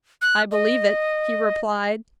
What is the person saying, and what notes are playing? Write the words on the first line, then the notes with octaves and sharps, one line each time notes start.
"I believe it," he replied.
F#6
D#5